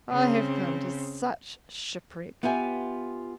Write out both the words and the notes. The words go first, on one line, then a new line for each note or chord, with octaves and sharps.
I have come to such shipwreck!
C#3 C4
B3 F4 G4 E5 G#5